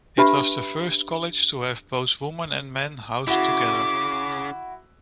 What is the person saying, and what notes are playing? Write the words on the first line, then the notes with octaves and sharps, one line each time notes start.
It was the first college to have both women and men housed together.
D4 G4 B4 E5 B5
C#3 E4 F#4 D6